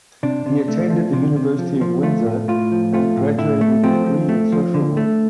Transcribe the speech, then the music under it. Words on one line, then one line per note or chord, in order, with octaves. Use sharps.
He attended the University of Windsor and graduated with a degree in social work.
C3 D4
C3
A3
F3
C3
C3
F3
F3
A3 F4
A2
A2 F4
F3
A3 F4
A2
A2 E4
A3
F3 C4
F3
A3
F3
D3
A3